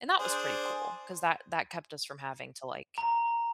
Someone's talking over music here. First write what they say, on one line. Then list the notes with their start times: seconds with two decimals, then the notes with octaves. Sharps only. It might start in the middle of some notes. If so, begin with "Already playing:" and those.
and that was pretty cool 'cause that that kept us from having to like
0.19 D4 G#4 C5
2.98 A#5